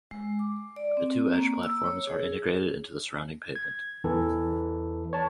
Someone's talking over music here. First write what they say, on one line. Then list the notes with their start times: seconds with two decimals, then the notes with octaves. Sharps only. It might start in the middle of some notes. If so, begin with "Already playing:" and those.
The two edge platforms are integrated into the surrounding pavement.
0.11 G#3
0.39 D6
0.76 D5
0.97 C4
1.34 A#3
1.63 E6
1.86 C#5
2.07 G#4
3.55 G#6
4.04 E2 E3 A4
5.13 C#5 A5